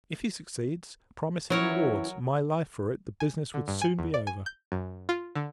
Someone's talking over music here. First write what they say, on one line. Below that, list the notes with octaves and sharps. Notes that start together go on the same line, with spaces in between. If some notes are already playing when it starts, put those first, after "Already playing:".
If he succeeds, promise him rewards; my life for it, the business would soon be over.
E3 F#3 C#4 E4 A#4 C#5
G#5
D3
G2
G#5
E2
D5
G#5
G6
F#2
F4
D3